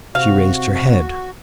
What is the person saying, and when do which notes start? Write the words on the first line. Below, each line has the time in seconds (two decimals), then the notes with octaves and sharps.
She raised her head.
0.15 C3 F#4 F5